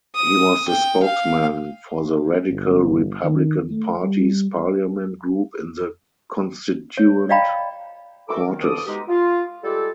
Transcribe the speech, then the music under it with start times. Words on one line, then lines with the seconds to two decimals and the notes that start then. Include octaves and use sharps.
He was the spokesman for the Radical Republican Party’s parliament group in the Constituent Cortes.
0.15 D#6
0.68 G5
1.03 F5
2.50 G1
3.24 D#3
3.71 A3
4.03 G3
6.97 C#5
7.29 D5 D#5 F5 G5 A#5 B5
8.29 D#3 E3 F#4 A4 D6
8.46 D#3
8.61 G2 F3 A4 D6 D#6
8.86 B2 G#3 D#4 G4
9.08 F4
9.64 G3 G#3 F4 G4 A4